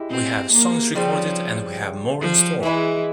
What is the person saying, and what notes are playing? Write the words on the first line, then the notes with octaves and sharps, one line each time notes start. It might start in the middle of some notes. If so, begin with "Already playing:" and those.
We have songs recorded and we have more in store.
Already playing: G#3 E4 G4
C4
A#3
C#3 F3 G3 C4
F3
E3 G#3 E4 G#4